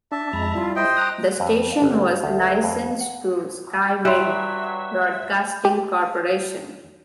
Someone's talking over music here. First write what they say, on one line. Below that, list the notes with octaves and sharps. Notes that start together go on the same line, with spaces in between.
The station was licensed to Skyway Broadcasting Corporation.
D4 E5 A5
F2 G#3 A#5 B5
G3 E4 F4
C5 D#5 E5 G5
A#5 D#6 F#6
F2
G1
D2
F2
F#5
G2 F#3 G3 E5 C6 F#6
G4